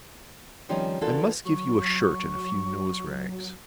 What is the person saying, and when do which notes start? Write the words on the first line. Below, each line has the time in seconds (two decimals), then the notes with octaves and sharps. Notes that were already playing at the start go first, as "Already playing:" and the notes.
I must give you a shirt and a few noserags.
0.69 D#3 F3 G3 C4 C#4 D#4
1.01 E3 A#3 D4 F4 F#4 A4
1.45 F#3 C#6